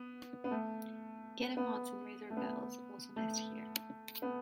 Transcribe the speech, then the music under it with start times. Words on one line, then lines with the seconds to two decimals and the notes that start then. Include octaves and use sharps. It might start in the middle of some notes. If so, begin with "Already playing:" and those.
Guillemots and razorbills also nest here.
Already playing: B3
0.44 B3
0.51 A3
1.57 B3
2.30 A3
2.37 B3
3.16 A3
4.22 B3